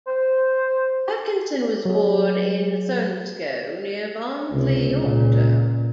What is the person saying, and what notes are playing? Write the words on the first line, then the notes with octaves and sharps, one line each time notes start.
Atkinson was born in Thurnscoe, near Barnsley, Yorkshire.
C5
F#3 G#4
C#2 C3
A#2